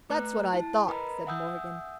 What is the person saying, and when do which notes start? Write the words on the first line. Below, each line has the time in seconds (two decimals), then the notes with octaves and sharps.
"That's what I thought," said Morgan.
0.10 A3 B4 A#5 F#6
0.53 E4 A5
0.87 A#4 B4 D#5 A#5 B5
1.26 E5 F#5 G#5 D#6 E6 G6